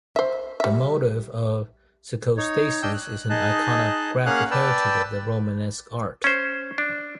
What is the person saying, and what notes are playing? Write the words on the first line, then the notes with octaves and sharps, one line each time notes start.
This motif of psicostasis is an iconographic heritage of the Romanesque art.
C5 E5
G3 E5
D#4 C#5
D4 D#5 G5 E6 G6
F#6
D#4 G#4 D#5 A5 F#6
A#3 C#4 G#4 F5 F#5 F#6
B4 D5 G5 A5 E6
C#4 C5
D4